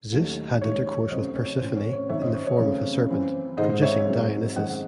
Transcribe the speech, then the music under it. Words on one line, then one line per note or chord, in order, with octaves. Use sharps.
Zeus had intercourse with Persephone in the form of a serpent, producing Dionysus.
D#2 D#3 F#3 A3
D#2 D#3 G#3 C#5
C#5
C#2 C3 F#3 A3 C4 C5 D#5
C#5
A1 A2 E3 C4 C5
C#5
C#5
G#1 F#2 D#3 C#5 E5
C5 D#5
C#5
C#5
F#2 C#3 E3 A3 C4
F#2 E3 C4
G#2 D#3 G#3 C4 C5 D#5
C#5 E5
G#2 F#3 C4
F#1 F#2 D#3 G#3 C4 D#5 F#5